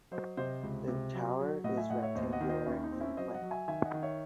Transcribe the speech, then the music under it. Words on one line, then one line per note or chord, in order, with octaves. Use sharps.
The tower is rectangular in plan.
F#3 C5 D#5
C3 C5 D#5
C#2
C3
F#3
F#3
A2 D#5 F#5
E5 G#5
A2 D#5 F#5
C#5 E5
D#2 C5 D#5
D#5 F#5
D#3
C5 D#5
D#2 C#4 E4
D#4
C4
C#4 E4
F#3 C5 D#5
D#5 F#5
F#3
E5 G#5
D#3 E5 G#5
D#5 F#5
D#3
C#5 E5